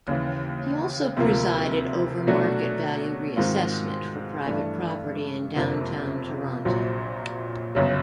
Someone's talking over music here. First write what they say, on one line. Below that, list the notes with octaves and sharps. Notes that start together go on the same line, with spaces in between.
He also presided over market value reassessment for private property in downtown Toronto.
D#2 C#3 E3
D2 C3 F3 A#3
B2 F#3 A3 D4 F#4
G#2 D#3 G#3 C4 F4
G2 E3 A3 D4
F#1 F2 C3 F3 A#3
A#1 A#2 F#3
G1 F#2 C#3 F#3